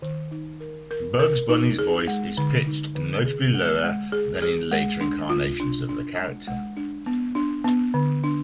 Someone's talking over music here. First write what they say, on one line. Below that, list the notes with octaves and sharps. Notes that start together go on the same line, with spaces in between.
Bugs Bunny's voice is pitched noticeably lower than in later incarnations of the character.
D#3
D#4
A#4
A#4
A#4
D#4
G#4
G#3
D3
D#4
D3
G#4
G#3
G#3
G#4
G#4
G#3
D4
F4
D4
D4
G#3
G#3
D4
B3
D4
B3
D3
D4